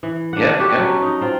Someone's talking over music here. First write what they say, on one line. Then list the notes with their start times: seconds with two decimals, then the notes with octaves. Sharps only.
Yeah, yeah.
0.03 E3
0.33 D4 F#5
0.59 F#4 G4 A4 B4
0.78 F#3 C#4
1.02 D#4
1.21 C4 F4